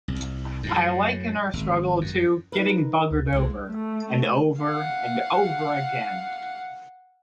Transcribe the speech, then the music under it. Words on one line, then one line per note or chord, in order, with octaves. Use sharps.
I liken our struggle to getting buggered over, and over, and over again.
C2
F#2 A2
G#1
F#2
D#4 A#4 B4
D2
C2 D3 E3 G#3
A3
F5 F#5